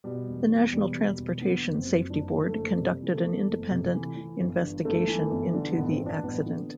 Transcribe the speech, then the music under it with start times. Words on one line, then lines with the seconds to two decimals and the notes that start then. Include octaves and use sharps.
The National Transportation Safety Board conducted an independent investigation into the accident.
0.04 B2 G3
0.28 E1
0.50 E2
0.72 E1 G3
0.96 B2
1.18 E1
1.41 D3 B3
1.65 F#1
1.75 C4
1.87 F#2
2.10 F#1 D4
2.33 D3
2.44 A3
2.55 F#1
2.79 C3 G3
3.02 E3
3.13 A3
3.24 E2
3.48 F#1
3.71 C3
3.93 E3
4.16 E3
4.40 G1
4.62 G2
4.85 G1 A3
5.08 E3
5.31 G1
5.54 D3
5.72 B3
5.77 A1
5.89 C4
6.00 G2
6.06 D4
6.23 A1 B3
6.46 D3